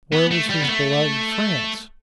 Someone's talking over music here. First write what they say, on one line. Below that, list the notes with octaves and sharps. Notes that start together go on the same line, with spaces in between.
Where was his beloved France?
B3
A3
G3
B3
A3